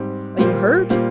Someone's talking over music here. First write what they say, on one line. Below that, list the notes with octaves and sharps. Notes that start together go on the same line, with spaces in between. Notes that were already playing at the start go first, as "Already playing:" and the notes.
Are you hurt?
Already playing: G#2 G3 C4 G4
A#2 G3 A#3 F4 C5
A#2 G3 A#3 F4 C5